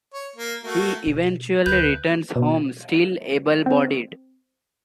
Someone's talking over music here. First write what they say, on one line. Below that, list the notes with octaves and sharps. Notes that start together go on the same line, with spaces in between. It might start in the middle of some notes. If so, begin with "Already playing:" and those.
He eventually returns home, still able-bodied.
C#5
A#3
A3 A#3 F#4
B2
D2 B4 G6
B2
C4